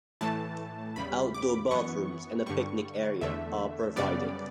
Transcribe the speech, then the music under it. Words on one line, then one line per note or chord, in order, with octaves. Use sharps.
Outdoor bathrooms and a picnic area are provided.
A2 E3 A3 A5
E2 C#3 G3 B5
D6
F#2 E3 B3 C#6
G2 D3 G3 C#6
E2 D3 A3 E5
F#2 C#3 G3 B3 D5